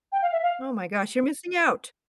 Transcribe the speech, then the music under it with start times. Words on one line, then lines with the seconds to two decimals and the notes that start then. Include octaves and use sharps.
Oh my gosh. You're missing out.
0.12 G5
0.22 F5
0.32 E5
0.43 F5